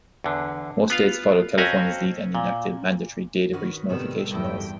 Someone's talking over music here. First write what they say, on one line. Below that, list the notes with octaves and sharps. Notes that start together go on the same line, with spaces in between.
Most states followed California's lead and enacted mandatory data breach notification laws.
E2 D3
B3 F4 F5
F2 C4 C#4 F#4 G#5 A#5
A#2
D#3 C#4 F#4 B4
A2 C3 D#3 G3 B3 E6
E2 G2 B2 E4 G5